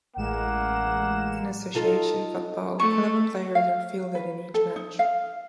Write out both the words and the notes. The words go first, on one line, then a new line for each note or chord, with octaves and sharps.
In association football, eleven players are fielded in each match.
A1 G#3 A#3 F#5 E7
D#4 F4 A4
A3 C#6
F5
B4
A4
D#4
F5